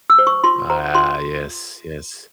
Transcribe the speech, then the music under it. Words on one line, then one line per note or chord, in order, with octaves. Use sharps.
A ah. Yes. Yes.
E6
C5
C#6
F4 C6
C5 A#5
F4 C6